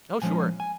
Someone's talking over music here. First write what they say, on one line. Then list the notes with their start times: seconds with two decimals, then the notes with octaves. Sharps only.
Oh, sure.
0.21 A#2 F3 G#3 C#4 G#5
0.60 G#5